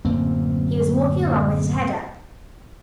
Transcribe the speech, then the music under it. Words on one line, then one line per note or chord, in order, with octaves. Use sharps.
He was walking along with his head up.
D1 F#2 A#3 C4